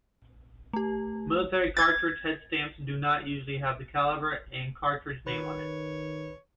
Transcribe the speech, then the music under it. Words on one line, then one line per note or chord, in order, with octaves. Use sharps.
Military cartridge headstamps do not usually have the caliber and cartridge name on it.
A3 G4
G#6 A6
D#3 B4 C#5